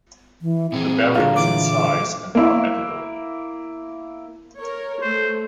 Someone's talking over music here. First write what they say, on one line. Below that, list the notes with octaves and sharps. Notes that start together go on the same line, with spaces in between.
The berry is in size and are edible.
E3
A#2 C4 D#4 G#4
D3 A#3 F4 C#5
E3 D6
A#3 E4
A#4 C#5
A3 C5